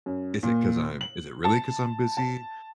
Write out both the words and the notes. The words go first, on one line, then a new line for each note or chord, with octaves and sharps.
is it 'cause I'm is it really 'cause I'm busy,
F#2
A#2
F#7
A5
A5